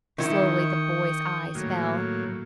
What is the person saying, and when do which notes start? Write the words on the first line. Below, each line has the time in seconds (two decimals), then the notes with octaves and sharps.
Slowly the boy's eyes fell.
0.18 D#3 E4 G5 C#6 D#6
1.55 A2 F#3 A#3